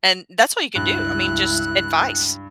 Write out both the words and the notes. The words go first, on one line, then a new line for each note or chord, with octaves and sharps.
and, that's all you can do, I mean, just advice.
C#2 G2 E4 F#6